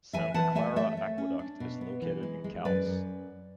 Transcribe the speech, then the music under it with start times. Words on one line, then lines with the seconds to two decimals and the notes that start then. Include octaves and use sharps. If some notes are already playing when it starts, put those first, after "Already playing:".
Santa Clara Aqueduct is located in Calves.
0.13 E3 E5 G#5
0.34 E3 F#5 A5
0.55 A3 E5 G#5
0.76 A3 C#5 E5
0.97 A3
1.18 C#4
1.39 D4
1.60 B2
1.81 B3
2.02 E3
2.23 G#3
2.44 G#3
2.65 F#2 B4 D5
2.86 F#2